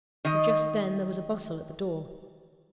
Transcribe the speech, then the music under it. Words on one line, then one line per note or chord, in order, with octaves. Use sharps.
But just then there was a bustle at the door.
D#3 D#5